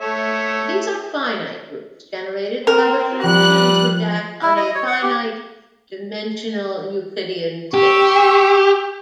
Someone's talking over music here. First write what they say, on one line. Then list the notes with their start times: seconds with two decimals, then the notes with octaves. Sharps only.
These are finite groups generated by reflections which act on a finite-dimensional Euclidean space.
0.01 A3 C#5 E5
2.67 C4 A#4
3.24 F3 G3 F#6
4.42 E4
4.57 D#5
4.75 C#5
4.87 F#5
5.02 G4
7.74 G4 C#6 E6